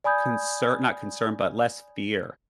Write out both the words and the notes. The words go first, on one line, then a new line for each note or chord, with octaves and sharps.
concer not concern, but less fear
D5 G#5 B5 D#6 G6 G#6